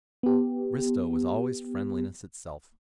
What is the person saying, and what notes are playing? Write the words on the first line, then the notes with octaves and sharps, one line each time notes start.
Bristow was always friendliness itself.
B3 G4